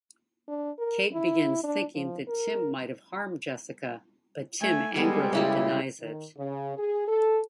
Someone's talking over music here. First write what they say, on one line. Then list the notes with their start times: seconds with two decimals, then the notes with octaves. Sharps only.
Kate begins thinking that Tim might've harmed Jessica; but Tim angrily denies it.
0.48 D4
0.79 A#4
1.14 E4
1.64 D4
1.95 F3
2.28 A#4
4.61 A3 G#5
4.96 G3 G#3 B3 A4 G#5
5.33 C#3 E4 G4
5.99 D#3
6.37 C#3
6.76 G#4
7.07 A4